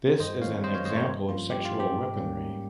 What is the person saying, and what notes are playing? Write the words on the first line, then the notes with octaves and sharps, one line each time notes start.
This is an example of sexual weaponry.
G2 C5 D#5
D#3 G#3 C4 C#5 F5
G2 C5 D#5
C#5 F5
D#3 G#3 C4 C5 D#5
A#4 C#5
G2
F3 A#3 C#4 F4
G2 G4
F4
F3 A#3 C#4
G4
G#2
G3 A#3 C#4
G#2